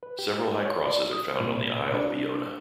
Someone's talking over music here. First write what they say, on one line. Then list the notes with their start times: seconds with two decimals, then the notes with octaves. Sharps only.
Several high crosses are found on the Isle of Iona.
0.03 B4
0.19 G4
0.66 C#5
0.86 D5
1.12 D#6
1.41 A#2
1.94 D4